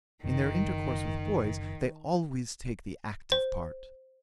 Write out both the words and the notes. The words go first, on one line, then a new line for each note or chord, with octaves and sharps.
In their intercourse with boys they always take the active part.
F#1 D#3
C5